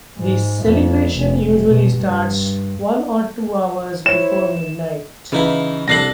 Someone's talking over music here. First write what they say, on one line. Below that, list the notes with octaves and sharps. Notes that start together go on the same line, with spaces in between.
The celebration usually starts one or two hours before midnight.
G#2
F2
F1
B2
G2
E4 C5 C#5 E7
C#3 E3 D#4 E4
C2 D4 A4 A#6 C7 F#7